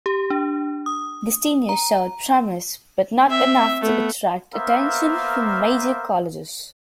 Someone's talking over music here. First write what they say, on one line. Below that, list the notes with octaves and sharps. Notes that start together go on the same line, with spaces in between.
Gastineau showed promise, but not enough to attract attention from major colleges.
G4
D4
D#6
A#5
C4 E5
A3 B3
A#3 B3 A#4 C5 E5 F5